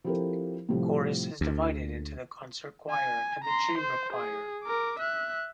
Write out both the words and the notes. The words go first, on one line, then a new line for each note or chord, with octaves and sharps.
Chorus is divided into the concert choir and the chamber choir.
F3 C4 E4 G4 A4 A#4
A2 C3 F3 G3
D2
G#5
A#5 C6
C5
G#4
A#4 D6
E5 F#6